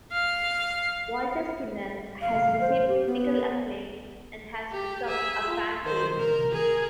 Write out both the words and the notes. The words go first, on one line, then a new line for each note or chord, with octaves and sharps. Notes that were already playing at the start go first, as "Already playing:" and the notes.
Walter Skinner has received critical acclaim and has become a fan favorite.
F5
F5
C5
G4
B3
G4
G#4 E5
F4
D#3 C5
A#4
G#4 A#4